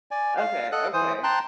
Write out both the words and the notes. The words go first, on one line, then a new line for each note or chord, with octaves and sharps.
Okay, okay,
D5 G#5
F5
A4 D#5 F#5 F#6
E3 C5 D#6
G5 A5 A#5 C6 F#6